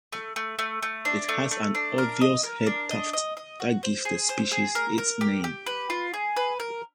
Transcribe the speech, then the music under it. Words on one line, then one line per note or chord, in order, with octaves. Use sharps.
It has an obvious head tuft that gives the species its name.
A3
A3
A3
A3
D4
A3
A3
D4
A#4
D#5
A#4
D4
D#5
D#5
D#5
F#4
C5
G#4
C5
G#4
A#4
A#4
G4
G4
B4
F4
G#4
B4
A#4